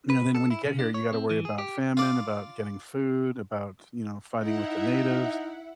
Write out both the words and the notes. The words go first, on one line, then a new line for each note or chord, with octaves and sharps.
you know, then when you get here, you gotta worry about famine, about getting food, about, you know, fighting with the natives,
B4
A4
E4
C#3
D4
C#5
C4
E3
G#4
G4
F4 D5
D#4 E4 E5 F#5